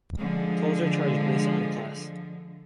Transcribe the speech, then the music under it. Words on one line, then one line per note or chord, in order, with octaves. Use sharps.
Tolls are charged based on class.
D3 F3 G#3